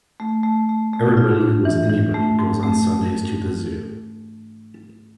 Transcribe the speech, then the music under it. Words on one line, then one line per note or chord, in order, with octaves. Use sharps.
Everybody who is anybody goes on Sundays to the Zoo.
A3
A3
A3
A3
F4
D4
E3
E3
A3
G#2
A3